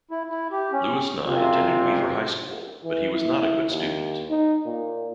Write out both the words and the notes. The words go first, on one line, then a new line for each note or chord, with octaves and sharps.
Louis Nye attended Weaver High School, but he was not a good student.
E4
E4
G4
C#4
F#1 C3 C4 F4
E3
E4
D#2
D#4
A#2